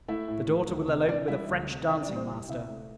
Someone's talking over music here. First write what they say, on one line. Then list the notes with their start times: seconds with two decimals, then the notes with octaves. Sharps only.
The daughter will elope with a French dancing-master.
0.08 A3 E4 E5
0.28 A2
0.48 A3
0.69 D2
0.88 C3
1.09 E3 D4 D5
1.28 G3 E4 E5
1.49 D2
1.69 C3
1.88 E3 E4 E5
2.02 D4 D5
2.08 G3
2.15 C4 C5
2.29 C2
2.48 C3 E4 E5
2.69 A3